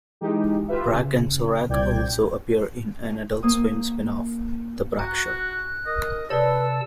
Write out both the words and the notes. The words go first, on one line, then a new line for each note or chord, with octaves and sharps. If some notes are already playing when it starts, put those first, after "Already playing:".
Brak and Zorak also appear in an "Adult Swim" spinoff, "The Brak Show".
E3 G#3 D#4 G4
F4 G4 B4 E5
C#3
C2 A#2 D5 G5 G6 G#6
A#3 D#6
F#4 A#5 F#6
A#4 D#5
C3 A4 B4 C#5 D5 A5 E6